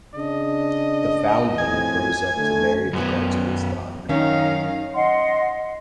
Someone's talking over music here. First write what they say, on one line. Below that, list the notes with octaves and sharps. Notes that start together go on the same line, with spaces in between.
The foundling grows up to marry the guardsman's daughter.
C#3 D4 D#5
F2 A2 C4 G#5
D3 A3
F#2 B3
F#2 D#3 C#4 D#4 F5
D#5 F#5 C6